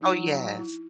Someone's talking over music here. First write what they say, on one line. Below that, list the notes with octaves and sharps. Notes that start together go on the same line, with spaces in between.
Oh, yes.
F3 F#3 D#4 E4
E4